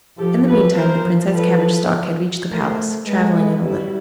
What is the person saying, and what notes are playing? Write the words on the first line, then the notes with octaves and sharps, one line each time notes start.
In the meantime the Princess Cabbage-Stalk had reached the palace, travelling in a litter.
F3 G4 A4
A4 B4
F3 A#4 C5
A4 B4
A3 A#4 C5
G#3 A4 B4
A4 B4
G3 E4 F#4